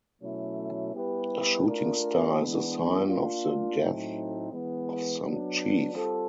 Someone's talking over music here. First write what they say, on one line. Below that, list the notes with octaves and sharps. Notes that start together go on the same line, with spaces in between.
A shooting star is the sign of the death of some chief.
B2 F#3 A3 C#4 E4
G3 B3 E4 G4 B4
A3 D4 F4 A#4
E3 G#3 B3 D4
A#3 D4 F4
A2 F#3 A3 C4 D#4
E3 G#3 B3
F#3 B3 D4
G3 C4 F4 A4